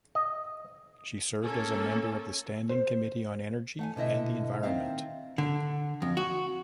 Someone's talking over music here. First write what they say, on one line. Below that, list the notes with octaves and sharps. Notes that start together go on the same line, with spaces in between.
She served as a member of the Standing Committee on Energy and the Environment.
D#5
A#3 C#4 A4
C5
A3 F#5 G#5
B2 D3 E4 D#5 E5
D#3 B3 C4 E5 F5
D3
F2
F#4